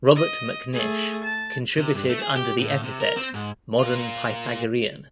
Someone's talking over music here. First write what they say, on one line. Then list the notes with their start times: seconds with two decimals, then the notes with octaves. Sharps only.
Robert Macnish contributed under the epithet, Modern Pythagorean.
0.15 D#5
0.73 A3 G#4
1.24 A5
1.78 C3
1.95 G2
2.09 A3
2.22 G#4
2.36 G4
2.59 A2
2.83 C3
3.00 A#4
3.16 C4
3.34 G#2
3.79 A#3 F4